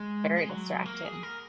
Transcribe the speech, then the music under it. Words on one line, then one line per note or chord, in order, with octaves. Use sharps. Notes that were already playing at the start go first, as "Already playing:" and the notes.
Very distracting.
Already playing: G#3
G#3
F#3
A#3
G#4
A#4